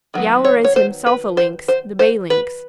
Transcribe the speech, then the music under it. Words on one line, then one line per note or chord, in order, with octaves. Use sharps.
Yowler is himself a Lynx, the Bay Lynx.
D#3 F#3 B3
C#5
C#5
C5
B4
C5
C5
C5
B4